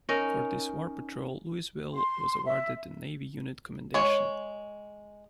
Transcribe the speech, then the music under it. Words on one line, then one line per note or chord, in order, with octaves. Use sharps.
For this war patrol, "Louisville" was awarded the Navy Unit Commendation.
C#4 D#4 A#4
C6
E5
G#3 C#5